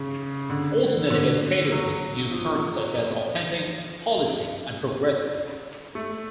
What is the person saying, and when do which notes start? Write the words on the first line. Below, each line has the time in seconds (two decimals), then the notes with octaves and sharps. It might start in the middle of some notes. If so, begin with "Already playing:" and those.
Alternative educators use terms such as "authentic", "holistic" and "progressive".
Already playing: C#3
0.50 D3
1.10 D3
1.72 F#3
2.31 F3
5.95 A3